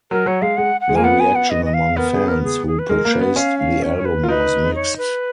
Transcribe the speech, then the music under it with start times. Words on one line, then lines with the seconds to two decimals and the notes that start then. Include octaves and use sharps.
The reaction among fans who purchased the album was mixed.
0.11 F#3 A#4
0.26 F#3 C#5
0.42 G#3 F5
0.57 G#3 F#5
0.81 F#5
0.89 G#3
0.95 A#3 G#5
1.04 B3 F#5
1.20 G#5
1.35 F#5
1.50 D#5
1.65 D#5
1.74 F5
1.97 B3 A#4
2.12 G#4
2.28 A#4
2.44 G#4
2.67 G#4
2.79 B4
2.89 G#3 A#4
3.05 A#3
3.13 B4
3.21 B3
3.36 C#4 F5
3.59 F5
3.83 C#5
3.98 C#5
4.05 B4
4.23 F4 A#4
4.28 D#4 B4
4.75 C#5
4.98 B4